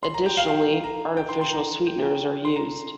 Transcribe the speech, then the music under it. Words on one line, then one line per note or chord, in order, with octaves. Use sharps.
Additionally, artificial sweeteners are used.
C6
A#5
G5
F5
F5
A#5
G5
C6
C6
A#5
G5
G5
C6
A#5